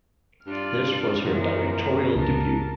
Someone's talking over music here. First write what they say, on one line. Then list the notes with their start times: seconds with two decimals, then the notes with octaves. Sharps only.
This was her directorial debut.
0.47 G2 F4 D5 F6
1.25 F#2 A#2 E3 F3 A#4
2.15 C#2 G2 A#4 A5